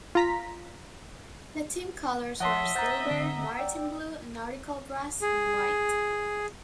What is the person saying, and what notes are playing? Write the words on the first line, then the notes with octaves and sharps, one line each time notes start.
The team colours were silver, maritime blue, nautical brass, and white.
F4 A#5 B6
F3 C#5 D#5 E5 F#5 A5 C6
C5 F#5 A#5 G6 A6
D3 C4
D5 G5 E6
G#4